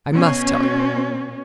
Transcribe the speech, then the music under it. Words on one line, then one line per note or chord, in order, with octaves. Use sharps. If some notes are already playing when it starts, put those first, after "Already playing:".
I must tell you.
B2 C#4